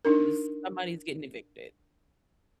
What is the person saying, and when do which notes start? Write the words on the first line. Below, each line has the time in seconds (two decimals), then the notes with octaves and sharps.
This" somebody's getting evicted.
0.05 D4 D#4 A#4